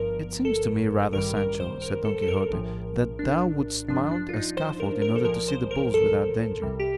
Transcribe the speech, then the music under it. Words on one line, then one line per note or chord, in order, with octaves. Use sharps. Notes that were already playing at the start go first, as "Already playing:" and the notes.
"It seems to me rather, Sancho," said Don Quixote, "that thou wouldst mount a scaffold in order to see the bulls without danger."
Already playing: G1 G2 F3 A#4
A4
A1 G2 D#3 G3 A#4
A#4
C5
A#4
A4
A4
A#4
A#1 A2 F3
D4
A1 G2 F3 D4
D4
F4
D#4
C5
A#4
A#4
A4
C2 A#2 F3 A#4
C5
A#4
A4
C2 C3 G3
G4